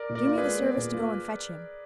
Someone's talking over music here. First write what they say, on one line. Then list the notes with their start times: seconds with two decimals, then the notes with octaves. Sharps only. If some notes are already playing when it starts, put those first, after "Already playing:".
"Do me the service to go and fetch him."
Already playing: A#4 D5
0.09 A#2
0.15 A#4 D5
0.27 F4
0.38 G#4 B4
0.43 G#3
0.60 B3
0.77 A#2
0.94 F4